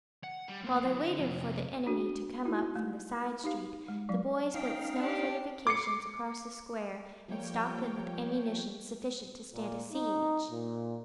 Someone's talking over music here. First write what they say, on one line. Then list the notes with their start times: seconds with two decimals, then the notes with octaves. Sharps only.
While they waited for the enemy to come up from the side street, the boys built snow fortifications across the Square and stocked them with ammunition sufficient to stand a siege.
0.24 F#5
0.48 G3
0.64 A#3 C5
0.84 E3 F#3
1.03 D3
1.19 F2 C3
1.87 D4 F#4
2.45 D#4 E4 F#4
2.76 A3
3.44 D#4 G4 F5
3.88 G#3
4.09 F#3 D5 F5
4.54 C#4 D#4 F5 G5
5.00 D4 G4
5.67 D6 C7 C#7
7.28 F3 G3 A#3 C#5 G5
9.54 A#2
9.92 D#4
10.50 A#2